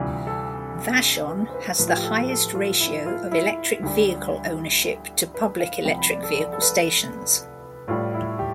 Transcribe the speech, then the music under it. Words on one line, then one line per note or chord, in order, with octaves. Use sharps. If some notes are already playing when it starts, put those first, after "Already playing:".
Vashon has the highest ratio of electric vehicle ownership to public electric vehicle stations.
Already playing: D2 C3 E3 G3 F4
A4
B4
C5
B4
A2 F3 B4
F4
G4
A4
A4
F4
E4
F4
E4
D2 D3 G3
B4
F5
C2 C3 F3 G5
B5
D5
A4
D5
A4
B4
A2 G3 F4
E4
G4